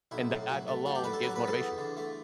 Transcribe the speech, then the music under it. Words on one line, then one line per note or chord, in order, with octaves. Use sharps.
And that alone gives motivation.
B1 E4
A2
F#3
A3
F#2 F#4
G4
D3 B4
A4
F#3 B4
B4
B3
A4
E2
D3
A3